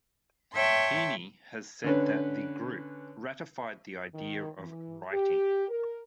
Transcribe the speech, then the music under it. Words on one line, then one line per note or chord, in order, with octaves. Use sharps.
Heaney has said that the group "ratified the idea of writing".
C#5 E5 G5 A5 C6
D3 C#4 B4
D#3
E3
G4
A#4